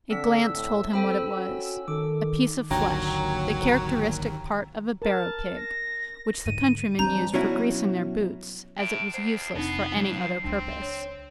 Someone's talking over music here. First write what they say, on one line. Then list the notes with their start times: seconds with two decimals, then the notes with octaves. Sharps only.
A glance told him what it was--a piece of flesh, the characteristic part of a barrow-pig, which the countrymen used for greasing their boots, as it was useless for any other purpose.
0.11 D3 C4 E6 B6
0.55 A2
0.93 C4 A4 G5 B5
1.36 C#4 F#4
1.88 D#3 A4 D6
2.71 G#1 D#2 D3 F#3 D4 G5 A#5
5.02 A#4 A5
5.57 A#6
6.46 G#2 D3 D#7
6.99 E3 G3 C4 D4 A#5 G6
7.34 B2 F#3 C#4 E4 F#4
8.79 A2 E5 D7
9.14 E2 C5 C7
9.55 F1 B3 C4 D4 D#4
9.96 G2 F#3
10.44 C#2 C4 D4
10.82 C#5